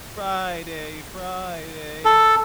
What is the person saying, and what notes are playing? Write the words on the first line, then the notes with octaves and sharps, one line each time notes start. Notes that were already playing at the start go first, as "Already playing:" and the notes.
Friday. Friday.
A4